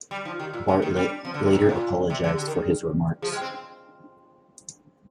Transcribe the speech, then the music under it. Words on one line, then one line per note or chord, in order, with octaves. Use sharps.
Bartlett later apologized for his remarks.
G3
F3 D#4
F4
D#3 G4
A#2 F4
C3 D4
D#3 A#3
G3 C4
D4
F3 C4
D3
A#3
C3
A#2 A#3
C3 D4
A#2 F4
C3
D3
G#4
D3 G4
D#3 A#4
G#4
F3 G#4
G#3
G5
C4